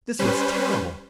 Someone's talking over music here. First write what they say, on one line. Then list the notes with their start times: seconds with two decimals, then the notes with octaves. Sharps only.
This was terrible!
0.19 G3 C#4 B4 C5